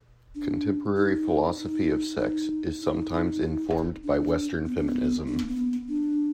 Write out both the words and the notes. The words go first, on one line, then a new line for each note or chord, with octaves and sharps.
Contemporary philosophy of sex is sometimes informed by Western feminism.
D4
D#4
D#4
D#4
D#4
D4
B3
D4
B3
D4
B3
A#3
B3
D4